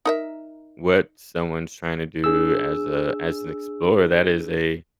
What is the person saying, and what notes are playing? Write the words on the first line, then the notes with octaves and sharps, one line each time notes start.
what someone's trying to do as a as an explorer, that is a
D#4 A#4 E5
D4 G#4 E6